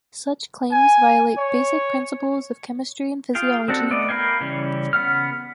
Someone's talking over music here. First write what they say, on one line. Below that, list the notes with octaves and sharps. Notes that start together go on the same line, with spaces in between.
Such claims violate basic principles of chemistry and physiology.
G#5
C#5
F4 G#4 F5 G5
C4 D4 F#4 A4
A3 B3 D5 D#5
A#4 B4 F5 G5 G#5
C#3 E3 G3 C#4
C#3 B3 F#5 F6